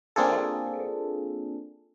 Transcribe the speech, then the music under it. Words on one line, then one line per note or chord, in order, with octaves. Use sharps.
Ah, okay.
A#3 C4 D4 F4 G#4 A4